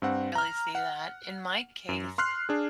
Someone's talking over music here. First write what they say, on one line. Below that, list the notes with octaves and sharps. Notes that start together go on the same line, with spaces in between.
Really see that. In my case,
G2 C4 F#5
A#5 F6
F#5
F#2
C6 F6 F#6 C7
D4 G#4